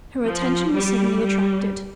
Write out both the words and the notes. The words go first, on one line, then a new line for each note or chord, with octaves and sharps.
Her attention was suddenly attracted.
F3
G3
G3